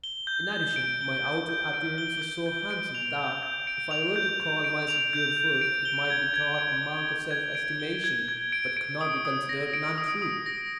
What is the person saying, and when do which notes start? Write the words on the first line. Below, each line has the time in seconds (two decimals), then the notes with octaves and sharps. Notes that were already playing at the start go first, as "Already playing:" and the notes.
In addition, my outward appearance was so handsome, that if I were to call myself beautiful, it might be thought a mark of self-estimation, but could not be considered an untruth.
0.04 G7
0.27 G6
0.52 G6
0.76 D7
1.01 G7
1.25 G6
1.49 G6
1.73 D7
1.98 G7
2.22 G6
2.46 G6
2.71 D7
2.95 F7
3.19 G6
3.43 G6
3.67 D7
3.91 F7
4.16 G6
4.40 G6
4.64 D7
4.88 F7
5.13 G6
5.37 G6
5.61 D7
5.85 G7
6.10 G#6
6.34 G#6
6.58 D7
6.83 G7
7.07 G#6
7.31 G#6
7.55 D7
7.80 G7
8.04 G#6
8.28 G#6
8.52 D7
8.77 D7
9.01 D#6
9.25 D#6
9.49 A#6
9.74 D7
9.98 D#6
10.22 D#6
10.46 A#6